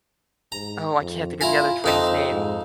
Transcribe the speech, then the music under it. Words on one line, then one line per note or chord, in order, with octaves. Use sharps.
Oh, I can't think of the other twin's name-
G#2 A#5
F2
E4 F4 A#4 G#5
F2 C4 D#4 A5
G#2